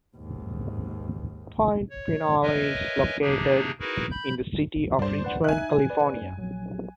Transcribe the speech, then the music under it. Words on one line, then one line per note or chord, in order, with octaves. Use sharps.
Point Pinole is located in the city of Richmond, California.
D#2 G#2
C#5
A#4 B4 C#5 D#5 E5 G#5
C3 A#3 D4 D#4 G4 G#4
D#4 E4 F#4 G#4 A#4 B4
B5 G6
G2 G3 D4 C5
B4 F#5
D#4 E5 G#5 F#6
B4 D5
F#2
A#1 F#3